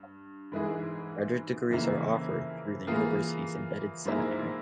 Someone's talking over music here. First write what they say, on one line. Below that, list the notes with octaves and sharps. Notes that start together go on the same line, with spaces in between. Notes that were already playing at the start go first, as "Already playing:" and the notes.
Graduate degrees are offered through the university's embedded seminary.
Already playing: G2
G#2 E3 G#3 E4 G#4
F2 C#3 E3 A#3 E4
E3 A#3 F4 G#4
G#2 F3 A#3 E4 G#4